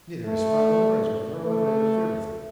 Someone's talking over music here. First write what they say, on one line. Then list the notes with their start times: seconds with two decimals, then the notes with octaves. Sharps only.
Neither his father nor his mother will ever interfere with him.
0.25 A3
1.44 A3